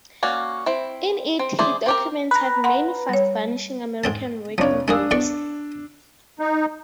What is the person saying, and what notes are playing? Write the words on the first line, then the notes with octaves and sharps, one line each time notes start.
In it he documented many fast-vanishing American working boats.
A#3 C#4 F#4 D5
C4 E4
C4
E4 G#4 C5 D5
C4 G4 A#4
B4 A#5
F#5 B5 C6
G3 C#5
G#2 C4 A5
F1 F3 D4 C#5
G#3 A#3 D4 G#4 E6
E2 D5 C#6
D#4